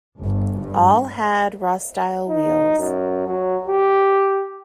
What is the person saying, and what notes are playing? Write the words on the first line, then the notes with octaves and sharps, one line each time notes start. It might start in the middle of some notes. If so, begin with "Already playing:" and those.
All had "Rostyle" wheels.
G1
G2
D#4
F#2
F#3
G4